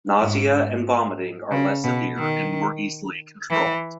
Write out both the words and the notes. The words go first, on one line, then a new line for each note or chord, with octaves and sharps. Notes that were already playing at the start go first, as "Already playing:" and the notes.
Nausea and vomiting are less severe and more easily controlled.
G#2
C#3
B2
D#3
E3